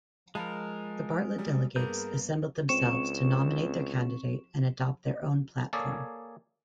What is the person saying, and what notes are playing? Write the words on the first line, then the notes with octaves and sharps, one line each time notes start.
The Bartlett delegates assembled themselves to nominate their candidate and adopt their own platform.
F3 G#3 A#4 A5 B5
F#3 G3
G2 A#3 B3 G#4 A#4 G6
C#2 C4 C#6 E7
A#3 G#4 A4 C#5 D5